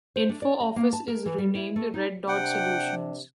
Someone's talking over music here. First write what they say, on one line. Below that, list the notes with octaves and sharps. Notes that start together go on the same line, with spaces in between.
InfoOffice is renamed RedDot Solutions.
C5
D4
D5
D#5
A#3
A5
A#4
E3
G3
E4
A3
D#4
C3 D4 F#5 G5